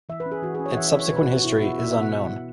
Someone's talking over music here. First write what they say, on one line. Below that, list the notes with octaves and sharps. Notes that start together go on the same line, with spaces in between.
Its subsequent history is unknown.
E3 E5
B4
C#4
G#4
E3 F#4
C#4 G#4
C#5
F#5
E3 E5
E5
C#4
C#5
B2 B4
F#4
B3
F#4
B2 E4
E4
B3 F#4
B2 E5
E5
B3
F#5
B2
B3